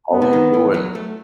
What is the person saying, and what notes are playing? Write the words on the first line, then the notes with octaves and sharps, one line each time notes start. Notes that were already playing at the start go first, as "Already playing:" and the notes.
how you doin'?"
B3
C3
D#3
E3
F#3
A3